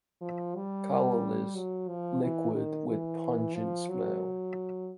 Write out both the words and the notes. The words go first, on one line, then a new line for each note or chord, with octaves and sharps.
Colorless liquid with pungent smell.
F3
G3
F#3
F3
E3
D#3
E3
F3
F#3